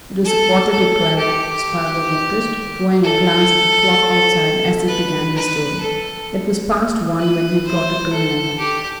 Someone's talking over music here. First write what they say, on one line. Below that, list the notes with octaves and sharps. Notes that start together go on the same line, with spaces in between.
It was a quarter to twelve, Spargo noticed, throwing a glance at the clock outside, as he began his story; it was past one when he brought it to an end.
A4
A4
G4
A4
B4
B4
A4
B4
C5
A4
G4